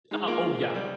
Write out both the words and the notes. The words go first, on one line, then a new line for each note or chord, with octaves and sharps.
Uh, oh yeah,
G#3 D#4
A#3 F4
G3